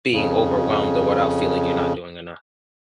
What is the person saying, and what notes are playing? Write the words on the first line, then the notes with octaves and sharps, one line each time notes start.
being overwhelmed or without feeling, like, you're not doing enough.
F2 C#3